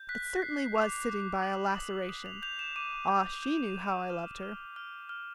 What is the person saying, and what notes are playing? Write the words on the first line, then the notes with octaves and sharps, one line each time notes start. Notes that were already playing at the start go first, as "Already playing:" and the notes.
It certainly was sitting by a 'laceration.' Ah, she knew how I loved her!
Already playing: G6
F#6 B6
F#6 C7
D6 F7
D6
D#6 F#7
D#6 F#7
D#6
F7
G6 F7
E7
D6 D#7
G6
G6
G6
F6 E7
F6
F6
F6